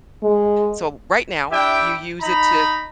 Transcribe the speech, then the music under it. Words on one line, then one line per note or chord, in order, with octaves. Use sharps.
so right now you use it to"
G#3
D4 E4 G4 E5 G5
D#4 A#5 B5